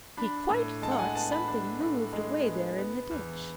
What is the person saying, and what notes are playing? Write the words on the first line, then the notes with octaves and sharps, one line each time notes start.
He quite thought something moved away there in the ditch.
D4 B5
A2
G#3 A5
F#5
G#5
B3 A5
B5
D4
A2
G#3
B3
B3
E2